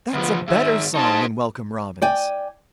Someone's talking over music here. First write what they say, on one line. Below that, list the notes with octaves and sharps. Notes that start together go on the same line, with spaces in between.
That's a better song than Welcome Robin's.
D2 F3 B3
G#2 D#3 E5
D#4 C5 A5
D5 G5 G#5